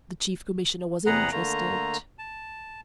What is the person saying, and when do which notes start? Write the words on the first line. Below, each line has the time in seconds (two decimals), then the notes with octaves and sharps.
The Chief Commissioner was interested.
1.06 E2 C3 G#4 B4 F#5 A#5
1.31 D3 A3 A#3 A#5
2.19 A5